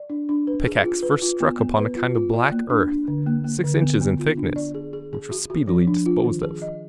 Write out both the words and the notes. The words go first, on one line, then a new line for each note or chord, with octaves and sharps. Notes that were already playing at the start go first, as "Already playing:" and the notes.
The pickaxe first struck upon a kind of black earth, six inches in thickness, which was speedily disposed of.
Already playing: D5
D4
D4
B4
G#4
F4
B4
F4
B3
B3
B4
F4
F4
D5
A#3
D4
D4
D3
A#3
A#3
D3
B3
B3
F4
D4
D5
G#4
G#4
G#4
F#4
F#4
F3
D4
F4
D#3
G#4
D#5